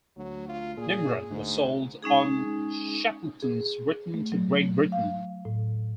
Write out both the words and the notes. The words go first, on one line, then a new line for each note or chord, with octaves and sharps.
"Nimrod" was sold on Shackleton's return to Great Britain.
D2 F#3
F4
A#2 G#4
D2 G#2
G#3 C#4 D#4 G#4
G#4
A3
F#3
F5
A2